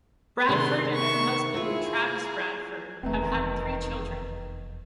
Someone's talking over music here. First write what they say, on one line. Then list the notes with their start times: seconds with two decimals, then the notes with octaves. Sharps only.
Bradford and her husband Travis Bradford have three children.
0.49 C3 D#3 G#3 C4 C6
0.93 E5 C#6
1.54 C4 E4 F4 G#4
3.03 F1 E2 D#3 A3 C4 B4 G5 A#5